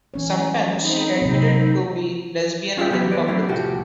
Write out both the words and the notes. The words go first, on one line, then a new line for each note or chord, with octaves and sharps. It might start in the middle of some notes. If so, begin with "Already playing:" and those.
Sometimes, she admitted to be lesbian in public.
E3 C#4 C#5
C4 D#4 B5
C3 F#3 A#3
C#4 F4 G#4 E5 G5
F#3 B3 E4 F#4 G4
E3 B3 B4 D5
F#3 A3 C4 E4 G4
C2 A2 F3 F#4 G4